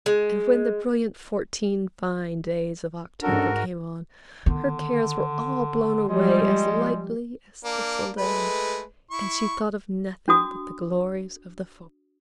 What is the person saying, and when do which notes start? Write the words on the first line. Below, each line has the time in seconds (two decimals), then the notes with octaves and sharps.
And when the brilliant fourteen fine days of October came on, her cares were all blown away as lightly as thistledown, and she thought of nothing but the glories of the forest.
0.06 G#3
3.22 G#2 C#4 D4 F#4 A4 A#4
4.46 D3 D#3 B3
6.08 F3 G3 G#3
7.65 A#3 D4
8.19 G#3 A3 B4
9.11 E4 C#6
10.28 D4 F#4 D#6